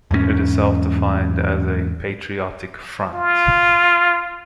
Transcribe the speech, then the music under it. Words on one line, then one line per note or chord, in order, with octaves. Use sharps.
It is self-defined as a "patriotic front".
E2 G#2 G#3 C#4
F4